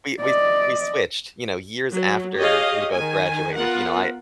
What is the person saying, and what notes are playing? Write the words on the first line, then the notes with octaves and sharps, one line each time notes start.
we we s we switched, you know, years after we both graduated, you know, I
D5 D#5
F#3
G4 G#4 C#5 D#5 F5
D#3 G#5
B3 F4 A#4 F#5